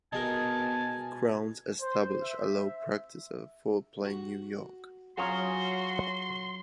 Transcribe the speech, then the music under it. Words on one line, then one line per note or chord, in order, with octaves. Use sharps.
Crounse established a law practice at Fort Plain, New York.
B2 D#4 G#4 A#4 G#5 A5
C5
E5
F#4
F#3 C#4 F4 F#4 G#4 C6